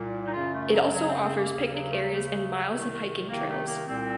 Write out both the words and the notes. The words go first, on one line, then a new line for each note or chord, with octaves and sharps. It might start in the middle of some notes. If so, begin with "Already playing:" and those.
It also offers picnic areas and miles of hiking trails.
Already playing: C2 A#2
D#4
F#2 C#3 F4
A3
F#3
F#2 C#3 F#3
C4
C4
A#3
D#2 C#3 A#3
F#3
A3
F#3
D#2 C#3 A3
C2 C3 D#3
C2 C3 D#3 A#3
A3
A#3
C2 A#2 C4